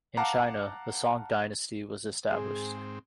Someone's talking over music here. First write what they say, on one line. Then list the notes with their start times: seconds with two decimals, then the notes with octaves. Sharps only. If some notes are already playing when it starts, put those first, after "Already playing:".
In China the Song dynasty was established.
0.17 F5 F#5 A5 A#5 D6
2.31 G#2 C4 G#4